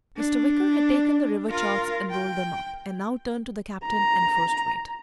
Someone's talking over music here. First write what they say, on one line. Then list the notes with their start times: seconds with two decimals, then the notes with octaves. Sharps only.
Mr. Wicker had taken the river charts and rolled them up, and now turned to the Captain and first mate.
0.17 D4
1.50 F4 A#4
2.11 G5
3.86 A#5